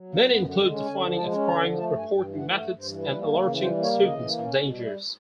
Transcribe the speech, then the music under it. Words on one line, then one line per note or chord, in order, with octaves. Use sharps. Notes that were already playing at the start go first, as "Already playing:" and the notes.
Many include defining of crimes, reporting methods and alerting students of dangers.
Already playing: F#3
B3 F5
F#2
F#5
D3
F#5
G#3 G5
C#4
D3 G#5
F3
G#3 A5
C#4
D3 A#5
F3
A3 A5
G2 G#5
G2
G5
E3
A3 F#5
G2
F#5
G2
C5
E3
G3 B4
A#3
C#3
E3
G3 C5
A#3
C#5
C#3
E3 D#5
A#3
C#4
B2
G3
E5